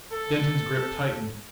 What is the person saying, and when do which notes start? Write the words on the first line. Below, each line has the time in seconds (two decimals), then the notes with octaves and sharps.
Denton's grip tightened.
0.11 A4